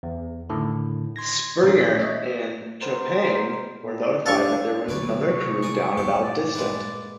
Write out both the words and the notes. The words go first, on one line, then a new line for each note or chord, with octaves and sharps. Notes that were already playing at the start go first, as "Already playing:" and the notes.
"Springer" and "Trepang" were notified that there was another crew down about distant.
E2
A2 D3 D#3
C6 G#6 A#6
A#2 D#3 E3 F#3 C#4
C#5 D#5 E5
B3 A#4 C5
A2
G2 D4 A4 F5 C#6
B1 A#2 D3 A3 B4 C#5 D5
C3 D#3 A#3 C#6
G#4 D5 D#6
G2 A#2 B3 G4
D5
G#3 A#3 B4